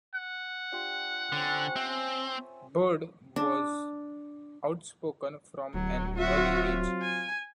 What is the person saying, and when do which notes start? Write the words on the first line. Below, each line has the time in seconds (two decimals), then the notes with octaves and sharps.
Bird was outspoken from an early age.
0.15 F#5
0.72 D4 F4 G4
1.32 D3 C4 C#4
1.76 C4 E5 G#5 A5
3.36 D4
5.74 D1 F#3
6.18 F#3 C4 F4 F#4 E5
7.02 G#5